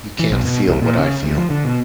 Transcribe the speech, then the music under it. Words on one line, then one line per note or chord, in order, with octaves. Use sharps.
You can't feel what I feel.
E3
B1
B2
C2
A#2
C#3
D2
F3
D3
B2